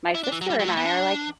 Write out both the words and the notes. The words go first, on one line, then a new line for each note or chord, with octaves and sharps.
my sister and I are, like
E4
D4
E3
F#3
G3
F#3
A3
B3
D4